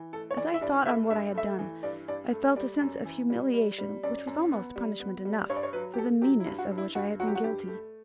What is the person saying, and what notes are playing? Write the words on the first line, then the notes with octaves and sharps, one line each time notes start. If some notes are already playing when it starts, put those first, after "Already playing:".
As I thought on what I had done, I felt a sense of humiliation which was almost punishment enough for the meanness of which I had been guilty.
Already playing: E3
A3 A4
C#5
E3 D5
E5
G2 D5
A3 E5
G2 E5
A3 E5
E3
G2 D5
G2 D5
A3
G3 D5
F#2
E3
G3
G3
G3
F#2 D5
F#2
B3
G3
B3
G3
G2 C#5
D5
C#5
F#3 B4
G4
A3 A4
F#3 G4
E4
G2
F#4
G2
E4
G2 F#4
F#3 F#4
G4
F#4
G2 G4
A3